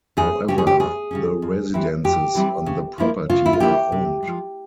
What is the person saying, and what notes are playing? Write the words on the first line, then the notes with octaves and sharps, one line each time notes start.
However, the residences on the property are owned.
E2 G#4
C#3 G3 C#4 G4
G#4
G4
E2 G#4
C#3 G3 C#4
F2
E3 G3 C4 E4
F2 G4
E3 G3 C4 E4
C#3
F3 A#3 E4
C#3 F4
E4
F4
F3 A#3 E4 G4
C3
F3 G#3